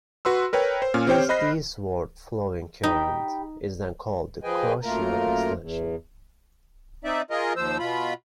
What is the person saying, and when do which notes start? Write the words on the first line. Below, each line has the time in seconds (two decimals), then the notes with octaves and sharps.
This eastward flowing current is then called the Kuroshio Extension.
0.25 F#4 B4 C6 E6
0.53 A#4 B4 C#5 G5
0.82 C5
0.94 A#2 C#4 F6
1.07 C4 G4 C5 C#5 G5
1.29 C5 D#5 B5 F#6 A#6 C7
2.83 D#4 G4 G5 B5
4.43 F3 G#4 B4 D#5 G5 G#5
4.83 F#2 A3 A#3 F4 A#4 A#5
5.58 E2
7.04 C4 D#4 D5 E5
7.31 F4 G#4 A#4 D#5
7.56 D#2 F3 C5 E6
7.79 B2 F4 B5